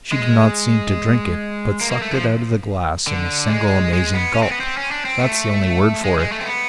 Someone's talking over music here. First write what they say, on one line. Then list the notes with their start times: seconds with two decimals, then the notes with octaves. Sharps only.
She did not seem to drink it, but sucked it out of the glass in a single amazing gulp--that's the only word for it.
0.12 G#3
1.81 A#3
1.91 A#3
2.02 A3
2.13 F3
3.07 D3
3.49 G#3
3.93 G#3
4.14 B3
4.34 C#4
4.43 C4
4.52 B3
4.60 C4
4.77 C#4
4.91 D4
5.05 C4
5.19 A3
6.04 G#3
6.18 G#3
6.32 A3
6.41 C4
6.46 B3